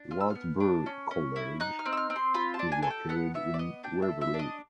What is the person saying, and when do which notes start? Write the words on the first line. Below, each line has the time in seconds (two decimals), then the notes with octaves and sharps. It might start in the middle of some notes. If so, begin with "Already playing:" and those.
Wartburg College is located in Waverly.
Already playing: D4
0.11 F4 F6
0.20 E6
0.30 B3 F6
0.60 D4
0.86 C#4
1.11 C#4
1.36 E4
1.60 D#4 F#6
1.79 F6
1.86 C4
1.92 E6
1.97 F6
2.10 C4
2.16 C6
2.34 F4 B5
2.54 A5
2.59 D4
2.72 G#5
2.83 A4 G#5
2.90 G5
3.09 B3 F#5
3.34 B3 E5
3.54 D5
3.58 B3 D#5
3.84 D4 G5
4.02 E5
4.09 A4
4.21 E5
4.34 D4
4.39 D#5